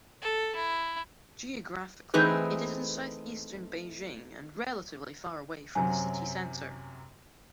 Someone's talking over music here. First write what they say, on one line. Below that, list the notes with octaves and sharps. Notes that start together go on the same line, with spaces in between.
Geographically, it is in southeastern Beijing and relatively far away from the city centre.
A4
E4
E3 A3 C4 D#4 G#4 B4
F#2 C3 F#3 G#5